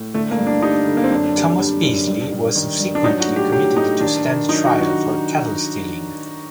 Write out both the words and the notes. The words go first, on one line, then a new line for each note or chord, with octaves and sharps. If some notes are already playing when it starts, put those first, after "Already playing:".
Thomas Peisley was subsequently committed to stand trial for cattle stealing.
Already playing: A2
D3 A3
A#3
G2
D4
G3 D#4
D3
A#3
C4
F#2 D4
G3
G3
F#2
G2
G2
D#3
G2
D4
F#3 D#4
F#4
A2
G4
F#3 G4
A2 D#4
D#3 D4
D#3
F#3 D#4
F#4
D#3
F#4